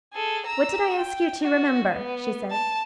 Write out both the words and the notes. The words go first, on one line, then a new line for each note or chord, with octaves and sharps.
"What did I ask you to remember?" she said.
G#4 A4
A#5 E6
G5
F#4
B3
A5